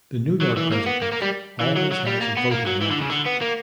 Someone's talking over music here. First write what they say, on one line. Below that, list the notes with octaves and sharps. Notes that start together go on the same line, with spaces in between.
The New York President always has a voting membership.
F#3
E3
A#3
B3
A#3
A#3
G3
E3
F#3
F#3
G3
A#3
B3
A#3
F#3
E3
D3
C#3
D3
B3
A#3